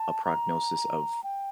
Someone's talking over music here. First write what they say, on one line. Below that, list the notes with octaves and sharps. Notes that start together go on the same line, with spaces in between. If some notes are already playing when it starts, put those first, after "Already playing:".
a prognosis of
Already playing: A5
A#5
G5